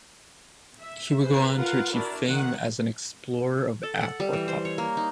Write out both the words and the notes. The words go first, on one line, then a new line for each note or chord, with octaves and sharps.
He would go on to achieve fame as an explorer of Africa.
E5
G#4 B4 C5
F4 A#4 B4 F5 F#5
D4 E4 F#4 A#4 D5
D#3 F#5
A4
F#5
G3
E3
C5
C#5
A#3
D#4